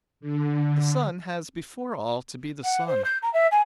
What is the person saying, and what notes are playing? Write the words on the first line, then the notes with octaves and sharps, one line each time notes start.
The sun has before all to be the sun.
D3
F#5
C5
G6
A#5
E5
G#5